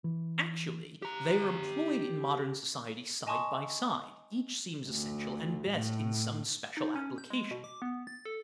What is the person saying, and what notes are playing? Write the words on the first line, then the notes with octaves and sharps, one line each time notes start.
Actually they are employed in modern society side by side; each seems essential and best in some special application.
E3
G4 A#5
D#5 G#5 A5 C6 C#6 D#6
D2
A2
D#4
C#4
G6
G#3
B2
D6
B3
A6
A4